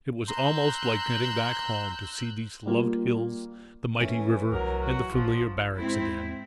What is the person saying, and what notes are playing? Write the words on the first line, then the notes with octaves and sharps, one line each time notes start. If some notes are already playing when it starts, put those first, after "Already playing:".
It was almost like getting back home, to see these loved hills, the mighty river, and the familiar barracks again.
A#5 C6 E6 F#6 G6
G3 A#3 F4
E3 A3 C#4
C2 F#3 A#4
F#4
A1 F3
G#2 C4 E4